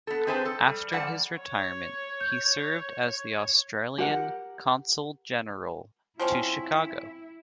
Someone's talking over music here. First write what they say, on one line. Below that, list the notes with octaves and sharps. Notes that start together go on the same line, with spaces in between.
After his retirement, he served as the Australian Consul-General to Chicago.
B3 A4
C4 G#4 B4 C5 F#5 A5
A4
G3
F3 G3 A4 D5 F#5 A5
C#5
G6
G4 A#4 F#5
F3 C4 C#4 E4